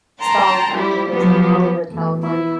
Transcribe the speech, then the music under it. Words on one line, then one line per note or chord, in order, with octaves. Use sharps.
Stahl currently lives in Hollywood, California.
G5 A5 A#5 C6
G3 E4 G4
F3 F#3 B3 G4
E2 B2 A3
B3 E4